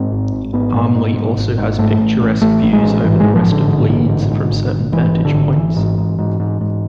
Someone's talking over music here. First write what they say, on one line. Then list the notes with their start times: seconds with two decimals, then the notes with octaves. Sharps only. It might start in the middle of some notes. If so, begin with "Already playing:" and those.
Armley also has picturesque views over the rest of Leeds from certain vantage points.
Already playing: G#2 C4
0.12 G#1
0.33 G#1
0.53 G#2 B3
0.74 G#2
0.95 G#2
1.16 G#2
1.37 G#1
1.58 G#2
1.78 G#2 A3
2.00 A1
2.21 A1
2.41 A1 A3
2.63 A1
2.73 G#3
2.83 A1
3.05 G#2 E3
3.20 G#3
3.25 A1
3.36 F3
3.46 A1
3.52 D3
3.67 G#2
3.89 A1
4.10 G#2
4.30 G#2
4.51 G#1
4.72 G#1
4.92 G#2 E3
5.14 G#1
5.25 D3
5.35 G#1
5.56 G#1 E3
5.77 G#2
5.98 G#2
6.19 G#2
6.40 G#2
6.61 G#2